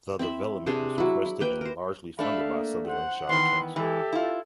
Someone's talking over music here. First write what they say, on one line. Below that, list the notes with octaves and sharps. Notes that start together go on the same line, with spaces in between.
The development was requested and largely funded by Sutherland Shire Council.
C4 E4 E5 B5
C3 D4 G#4 C5
F#3 E4
E4
A#3 B4 G5
A#4 C5
A3 D4 A4 F5 B5
A#3
C5 F#5
D#3 E3 B3 C6
E3 G#3 G4 A4 E5
E4 F4